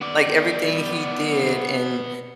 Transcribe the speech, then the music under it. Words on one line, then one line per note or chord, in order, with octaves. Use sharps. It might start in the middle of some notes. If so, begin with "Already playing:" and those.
like, everything he did and,
B3 D5